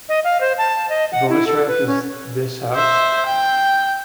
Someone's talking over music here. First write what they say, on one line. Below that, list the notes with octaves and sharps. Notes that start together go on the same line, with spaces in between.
The bonus track Is This House?
D#5
F5
C5
A5
D#5
F#5
E4
A4
B4
C#4
C5 E5
G5